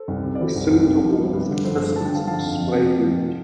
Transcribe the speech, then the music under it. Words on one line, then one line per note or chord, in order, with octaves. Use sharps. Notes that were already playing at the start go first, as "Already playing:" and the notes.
The cylinder walls and pistons are spray lubricated.
Already playing: A4 C5
C2
C3
D5
E3 A4 C5
C2
C2
C3
F3
G2
G2
D3
F3 A4 C5
G2
G2 A5
G5
D3 F5 A5
F3 F5 A5
F2
F2
C3
F3
F2